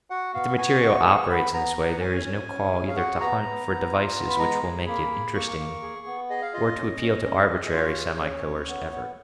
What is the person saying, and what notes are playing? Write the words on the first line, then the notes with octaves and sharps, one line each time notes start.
If the material operates in this way, there is no call either to hunt for devices which will make it interesting or to appeal to arbitrary, semi-coerced effort.
F#4 F#5
B3 F5
F#4 G#5
B3 C#6
G#4 C#6
B3 B5
B3 A#5
B3
F#5
C#4 G#5
C#4
C#4
G#4
F5
F#4 F#5
B3 A#5
B3
B3
F4
B3
B5
G#3 A#5
G#4
A#3 B5
G#4
A#3 C#6
A#3
G#4
B3
G#4 D#5
F5
F4 D#5
C#4
C#4
C#4
G#4
D#5
F4 C#5
G#4
C#4
C#4
B3
B3